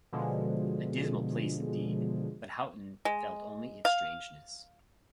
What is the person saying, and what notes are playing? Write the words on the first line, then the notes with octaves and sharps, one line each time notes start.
A dismal place, indeed, but Houghton felt only its strangeness.
B2 D3 F3 G#3
G#3
F5